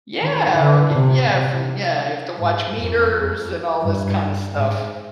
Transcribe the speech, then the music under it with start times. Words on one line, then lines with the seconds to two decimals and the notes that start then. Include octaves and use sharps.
Yeah, or, g yeah, from, yeah, you have to watch meters and all this kinda stuff.
0.20 D#3
0.57 D3
0.93 C3
1.29 C3
2.37 G#2
2.74 F2
3.82 G2
4.54 G#2